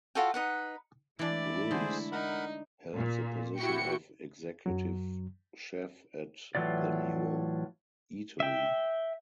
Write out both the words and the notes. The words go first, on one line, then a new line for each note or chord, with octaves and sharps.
Ruiz held the position of Executive Chef at the new eatery.
F4 F#4 A4 G5
D#4 B4 F#5
E3 G#3 A3 D4 E4 D5
D3 G#4 C5
D#4 A#4 F#5 B5
A#2
E4 F#4 G4 G5 C#7
F#2 F#3
A2 E3 F#3 F4 D5
E5 G5